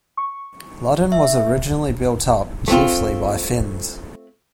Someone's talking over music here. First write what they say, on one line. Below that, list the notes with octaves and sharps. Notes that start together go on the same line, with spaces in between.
Ludden was originally built up chiefly by Finns.
C#6
E5
A3 C4 F4